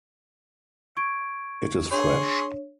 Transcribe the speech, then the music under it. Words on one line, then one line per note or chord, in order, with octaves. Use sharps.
It is fresh.
C#6 G#6 D7
D4 G#4 C#5 C6 C#6